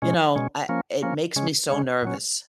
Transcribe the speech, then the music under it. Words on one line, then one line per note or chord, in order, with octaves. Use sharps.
you know, I it makes me so nervous.
B2 G#3 C#4
B2 G#3 C#4
F3 A#3 C#4
F3 A#3 C#4
C#3 G#3 C#4
C#3 G#3 C#4
A#2 F#3 C#4